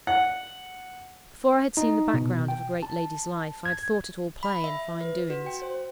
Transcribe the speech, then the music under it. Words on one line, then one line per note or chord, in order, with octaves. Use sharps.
Before I had seen the background of a great lady's life, I had thought it all play and fine doings.
F#5
D#4
B2
G5
A5
G#6
B5
E5
B4
F#4
G5
C5
C5